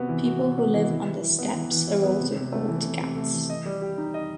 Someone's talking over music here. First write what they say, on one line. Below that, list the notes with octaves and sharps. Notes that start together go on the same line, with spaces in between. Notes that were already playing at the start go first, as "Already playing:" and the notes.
People who live on the steps are also called ghats.
Already playing: C3 B3 F#4
E3
F#4
C3
B3
E3
E3
E3
E4
B3
E3
E3
E4
B3
C3
C3
A3
E3
C3
C3
A3
E3
D#5
G3
G4
D#4
D#5